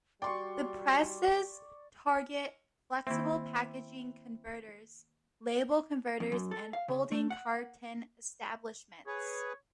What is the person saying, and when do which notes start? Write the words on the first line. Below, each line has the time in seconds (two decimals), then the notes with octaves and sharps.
The presses target flexible packaging converters, label converters and folding carton establishments.
0.22 G3 F#4 D5 G5 C6 C#6
3.07 D#3 A#3 C4 E4 E5
6.20 F2
6.32 F#2
6.51 A4
6.73 F5
6.88 C#3
7.12 A3
7.30 F#5
9.07 G#4 B4 C#5